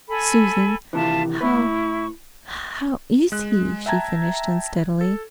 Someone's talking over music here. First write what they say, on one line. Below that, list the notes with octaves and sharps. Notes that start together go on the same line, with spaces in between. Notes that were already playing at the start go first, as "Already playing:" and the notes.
"Susan, how--how IS he?" she finished unsteadily.
A4 G#5 B5
C3 D#3 E3 F4 E5 A5
A2 E4 B4 C#6
G#3 F#6
E5 G5 A5 A#5 G#6
A4